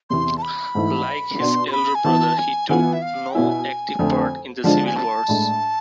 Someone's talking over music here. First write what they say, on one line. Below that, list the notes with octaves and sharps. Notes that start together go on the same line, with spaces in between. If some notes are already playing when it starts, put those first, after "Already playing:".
Like his elder brother, he took no active part in the Civil Wars.
E2 C3 E3 C6
A5
B5
G#2 E3 A3 E4
B2 B3 D4 C6
C6
B5
G#5
E3 B3 E4 A5
G#5
E3 B3 F4 G#5
E5
F5
B2 B3 E4 G#5
F2 D3 A3 C4
D3 F3 G#3 D4 F4 A5
G#5
A5
A2 G#3 D4